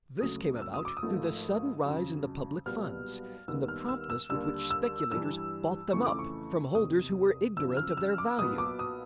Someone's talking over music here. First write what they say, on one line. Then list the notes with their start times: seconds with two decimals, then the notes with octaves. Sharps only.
This came about through the sudden rise in the public funds, and the promptness with which speculators bought them up from holders who were ignorant of their value.
0.21 D2 C#3 F#3 A3 D#6
0.62 E6
0.74 D#6
0.85 D6
0.97 D#6
1.03 G#1 G#2 F3 A3
1.84 F2 C#3 F#3
2.66 B1 A#2 G3 B3 F6
3.48 D#2 D#3 G3 B3 E6
3.68 F6
3.89 E6
4.10 E6
4.29 D#2 D3 G3 E6
4.70 E6
5.11 G2 E3 G3 E6
5.93 F2 C#3 E3 A3 C#6
6.06 D6
6.19 C#6
6.75 F#1 E2 C3 D#6
7.56 G1 F#2 C#3 F3 E6
7.77 F6
7.97 E6
8.18 D6
8.38 B1 A#2 F#3 B3 D#6
8.58 D6
8.79 D#6